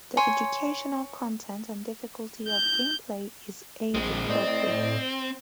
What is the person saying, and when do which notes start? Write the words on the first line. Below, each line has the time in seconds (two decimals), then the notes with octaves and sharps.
The educational content and difficulty of gameplay is age appropriate.
0.17 C#5 G#5 C6
2.48 G6
3.95 A#1 G#3 C4
4.29 A2 C4 D5 D#5